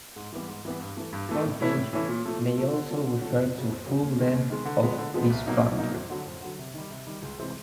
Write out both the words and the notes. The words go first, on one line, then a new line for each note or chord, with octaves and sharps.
Frontage may also refer to the full length of this boundary.
G#2
E3 G3 B3
G#2
E3 G3 B3
G2
E3 A3
G2
E3 A3
A2
E3 A3 C#4 E4
A2
E3 A3 C#4 E4
A#2
F3 A3
A#2
F3 A3
D3
F3 A3 C#4 F#4
D3
F3 A3 C#4 F#4
F2
C#3 F#3
F2
C#3 F#3
D#2
D#3 G#3
D#2
D#3 G#3
D3
F3 G#3 B3
D3
F3 G#3 B3
C2
B2 F#3 A#3 D#4
C2
B2 F#3 A#3 D#4
F2
D3 F#3
F2
D3 F#3
C3
D#3 G3
C3
D#3 G3
C#2
C3 E3 G#3 C4